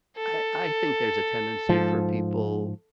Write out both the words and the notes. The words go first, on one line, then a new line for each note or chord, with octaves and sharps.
I I think there's a tendency for people
A4
G#2 F3